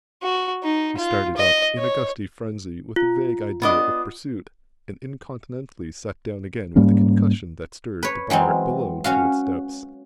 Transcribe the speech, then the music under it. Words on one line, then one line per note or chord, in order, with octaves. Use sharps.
He started up in a gusty frenzy with a vague idea of pursuit, and incontinently sat down again with a concussion that stirred the bar below to its depths.
F#4
D#4
F4
D#5
C#5
F4
B3 D4 D#5
G#2 G3 A#3 C#4
B4 C#5
E3 F#3 G#3 C4
C#4 F#4 F5